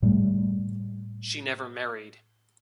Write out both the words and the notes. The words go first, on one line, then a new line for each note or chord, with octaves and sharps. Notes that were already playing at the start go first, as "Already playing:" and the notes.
She never married.
A2 G3 A3